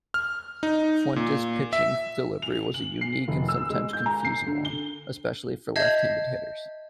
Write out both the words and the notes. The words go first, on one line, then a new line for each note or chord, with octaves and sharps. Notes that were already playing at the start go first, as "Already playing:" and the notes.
Fuentes' pitching delivery was a unique and sometimes confusing one, especially for left-handed hitters.
F6
D#4
A#2
E5
F7
F#7
C7
F1
E6
G#3
G6
A#5
C7
D3
G7
D#5 E5 A5 G6 G#6 C7